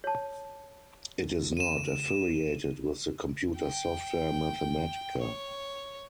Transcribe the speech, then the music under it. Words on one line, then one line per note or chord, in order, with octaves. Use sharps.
It is not affiliated with the computer software Mathematica.
C#5 A5
D#7 E7
G5
C#5